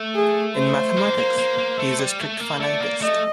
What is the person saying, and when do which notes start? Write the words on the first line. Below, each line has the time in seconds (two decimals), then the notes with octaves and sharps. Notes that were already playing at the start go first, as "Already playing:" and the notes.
In mathematics, he is a strict finitist.
Already playing: A3
0.15 G#4
0.56 C5
0.97 A#3
1.17 A#3
1.38 A#3
1.58 A#3
1.79 A3
1.99 G3
2.20 A3
2.40 A#3
2.60 A3 D5
2.80 A#3
3.01 A3 D#5